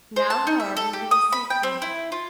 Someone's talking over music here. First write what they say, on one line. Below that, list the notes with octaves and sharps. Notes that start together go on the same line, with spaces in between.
Now, however, you will seek me.
C5
A5
D#4
E5
A4
G4
D#6
B5
G5
C4
E4
F4